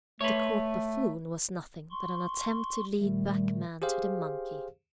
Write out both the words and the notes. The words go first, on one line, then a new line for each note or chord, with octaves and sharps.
The Court buffoon was nothing but an attempt to lead back man to the monkey.
A3 B4 C#5
C6 C#6
A#2 D#3 G3 A3
G4 G#4 C5 F5